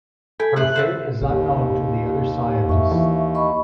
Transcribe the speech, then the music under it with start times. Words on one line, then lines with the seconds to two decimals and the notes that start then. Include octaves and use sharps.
Her fate is unknown to the other scientists.
0.40 A4 G5 G#5 B5
0.56 A3 C5 F#6
0.76 C5 E5 A5
1.22 A1 D#2 G4
2.69 F2 E5 C#6
2.92 E3
3.34 D#5 B5 C#6